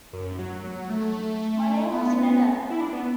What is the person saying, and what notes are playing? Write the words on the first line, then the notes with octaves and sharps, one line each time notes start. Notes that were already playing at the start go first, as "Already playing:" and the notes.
My name wasn't in it.
F#2
F#3
F#3
A3
B3
B3
E4
D4
B3